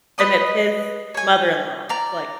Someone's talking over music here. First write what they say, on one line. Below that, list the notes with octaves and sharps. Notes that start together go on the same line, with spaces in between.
and it's his mother-in-law, so, like
B4 D#5 D#6
C#5 G#5
D5 A#5